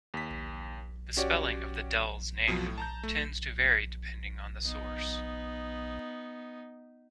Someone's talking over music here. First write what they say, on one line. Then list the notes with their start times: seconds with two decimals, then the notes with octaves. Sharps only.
The spelling of the dell's name tends to vary depending on the source.
0.14 D#2 B6
1.17 C#4 F#4 G4 C#5 D5
2.47 F2 B2 F3 F#3
2.66 A2
2.78 A5 A#5 G6
3.03 A3
4.63 B3 D#4